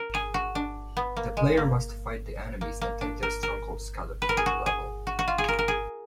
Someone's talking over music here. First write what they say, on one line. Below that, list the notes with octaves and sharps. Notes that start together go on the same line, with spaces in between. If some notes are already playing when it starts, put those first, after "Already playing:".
The player must fight the enemies and take their strongholds scattered through the level.
Already playing: A#4
G#4
F#4
D4
B3
A#3
G#3
A#3
A#3
A#3
D4
A#4
A#4
B4
A#4
G#4
F#4
G#4
F#4
F#4
F4
G#4
A#4
A#4
G#4